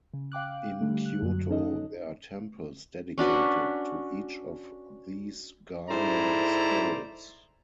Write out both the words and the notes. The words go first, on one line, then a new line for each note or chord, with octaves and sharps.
In Kyoto there are temples dedicated to each of these guardian spirits.
C#3
F5 G5 D6 F#6
D3 G3 A3
F#6
F#2 F#3
C#4 D#4 A4 D#5
C#4 D4 F#4 B4
G#2 E4 A4 C5 D5 A#5